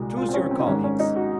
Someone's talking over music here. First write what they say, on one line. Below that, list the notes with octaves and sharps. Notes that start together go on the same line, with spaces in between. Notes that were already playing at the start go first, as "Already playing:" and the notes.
"Choose your colleagues."
Already playing: C2 A#2 G#3 F#4
F4
C4
C#4
C4
D#4
G#1 G#2 D#3 G#3 C#4
C#4
D#4
F#4